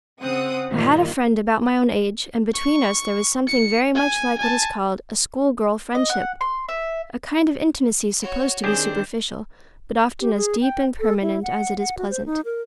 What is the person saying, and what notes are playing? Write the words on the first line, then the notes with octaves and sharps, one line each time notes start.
I had a friend about my own age, and between us there was something very much like what is called a "school-girl friendship," a kind of intimacy supposed to be superficial, but often as deep and permanent as it is pleasant.
C#3 C4 F#5 D#6
G2 A#2 D#3
C#6
C#7
G#5
G#5 A5
D#5
F#5
C6
E5
F#4 C#5
D#3 C4 D4 G4 G#4 G6 E7
G4
G#4
G5
A4
E4
F#5
F#5
F#4
C5
D#4
A#4